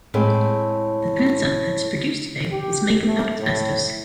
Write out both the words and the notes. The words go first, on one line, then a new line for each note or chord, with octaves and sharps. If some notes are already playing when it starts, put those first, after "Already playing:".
The transite that is produced today is made without asbestos.
A2 G#3 C4
G4
A3
A2